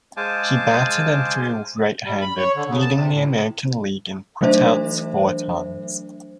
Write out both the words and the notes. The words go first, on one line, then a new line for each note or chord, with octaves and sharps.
He batted and threw right-handed, leading the American League in putouts four times.
G#3 C5 F5 G#5 A5 D6
G3
B5
C#5
D3
C#3
A5
C3
A2
E3 F#3 A3 D4 C5 E5